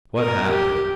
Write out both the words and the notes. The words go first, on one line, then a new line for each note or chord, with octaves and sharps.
"What happened?"
A#4
G4